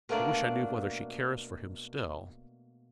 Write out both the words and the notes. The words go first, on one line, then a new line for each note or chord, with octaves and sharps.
I wish I knew whether she cares for him still.
B2 A3 A#3 D4 D5